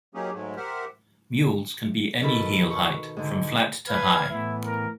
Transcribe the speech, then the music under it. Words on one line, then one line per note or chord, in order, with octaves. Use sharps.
Mules can be any heel height - from flat to high.
F#3 A#3 C#4 D#4 G4 G#4
G#2 F#3 G#3 A3
G4 A#4 C5 E5 F#5 F6
B2 D#3 D#4 A4 B5
C#6
G#2 D3
B4 F5 G#6
A2 E3 B3 E4
A#4